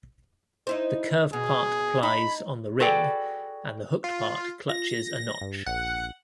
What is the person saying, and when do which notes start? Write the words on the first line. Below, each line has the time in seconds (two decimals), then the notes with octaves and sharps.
The curved part applies on the ring, and the hooked part clutches a notch.
0.67 D#4 E4 C5
1.33 B2 G#4
2.03 D#4 B5
2.80 F#4 G#4 A4 B4 D5 G5
4.04 F4
4.69 F4 A#6
5.41 G2
5.66 A#1 F#5